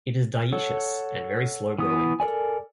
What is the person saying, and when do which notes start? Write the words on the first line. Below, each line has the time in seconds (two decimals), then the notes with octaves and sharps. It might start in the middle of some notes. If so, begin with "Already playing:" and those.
It is dioecious and very slow-growing.
0.53 A4 C#5 F#5
1.78 E3 B3 D#6
2.20 A4 A#4 D5 G#5